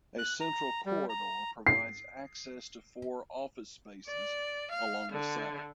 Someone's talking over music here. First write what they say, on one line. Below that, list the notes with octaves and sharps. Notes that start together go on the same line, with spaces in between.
A central corridor provides access to four office spaces along the south.
F#6
A#5
G3
A#5
C7
D5
F5
D3